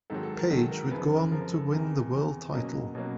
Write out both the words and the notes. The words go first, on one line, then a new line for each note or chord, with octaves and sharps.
Page would go on to win the world title.
G#2 D#3 F#3 A4
A4
A#4
G#2 D#3 F#3 A4
A#4
F#2 C#3 F3 B4
A#4
F#2 C#3 F3 A#4
A4
E2 C3 E3 A#4
E2 C3 E3
B2 F#3 A#3 C#4 D#5
B2 F#3 A#3 C#4